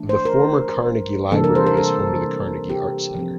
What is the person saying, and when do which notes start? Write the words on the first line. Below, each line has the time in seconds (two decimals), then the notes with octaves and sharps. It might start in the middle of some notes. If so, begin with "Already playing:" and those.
The former Carnegie Library is home to the Carnegie Art Center.
Already playing: E3 A3 D4
0.09 C5
0.25 A#4
1.32 C3 E3 G3 A#3 D4 A4
1.44 A#4
1.55 C5
1.67 A#4
1.77 A4
2.70 G4
3.15 F3 C4